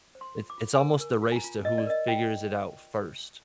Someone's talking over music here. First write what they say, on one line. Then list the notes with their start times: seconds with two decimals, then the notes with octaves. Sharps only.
it's it's almost the race to who figures it out first.
0.15 C5
0.21 C6
0.36 F4
0.50 D6
0.58 F4
0.75 G#5
0.78 A#4 A#5
1.01 A#4
1.22 F4
1.32 G#5
1.36 A#5
1.44 F4
1.65 A#4 D#5
1.78 D5
1.87 A#4 D#5
2.08 F4 G5